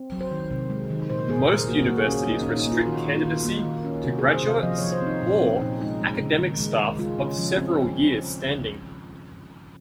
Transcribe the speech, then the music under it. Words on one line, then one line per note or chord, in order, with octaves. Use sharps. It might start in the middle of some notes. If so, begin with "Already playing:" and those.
Most universities restrict candidacy to graduates or academic staff of several years' standing.
Already playing: C4
F#3
C5
D#3
C3
G#3
D#3
A#2 C5
A#2 G#4
A#2 A#4
A#3 F#4
A#3 F#4
G#4
C#4
G#4
A#3 D#4
A#2 C#4
D#4
A#3 F4
D#3 F#4
D#3
F4
D#3
A#3 D#4
D#3
C#4
C3 F#4
G#4
C#4
C5
C3 F5
F3 D#5
F3 C#5
C5
C4 D#4
A#2 D#4
C4 C#4
A#2 D#4
G#3 D#4
G#3
C#3
D#3
G#3
G#3
G#3 F4
C#3 C#4
F3 C#4
C4 C#4